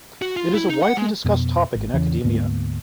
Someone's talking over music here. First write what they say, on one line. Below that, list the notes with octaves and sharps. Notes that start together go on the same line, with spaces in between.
It is a widely discussed topic in academia.
F#4
F4
E4
D#4
F#5
G#3
F2 B2 B3
G#1
E2 C#3 E3 C#4
D2 G#2 A#3 B3